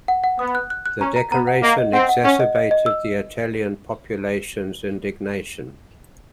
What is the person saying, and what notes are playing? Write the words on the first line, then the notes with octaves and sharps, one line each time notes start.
The decoration exacerbated the Italian population's indignation.
F#5
F#5
B3 D#6
F#6
F#6
F#6
C#4 A#5
A#5
B3 A#5
F#5
A#3 D#5
D#5
C4 F#5
F#5
C#4 F#5
D#5
D#5
D#5
E6